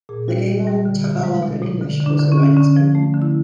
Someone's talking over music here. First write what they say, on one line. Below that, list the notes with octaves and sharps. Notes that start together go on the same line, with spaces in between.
Hiligaynon, Tagalog, and English are also widely spoken.
A#2 G#4
G3 F#4
G3
G3
D3
B2
G#3
B2
B2
D3
D3
D4
D3
C#4
D3
D3 C#4
F3
A3
D3
E4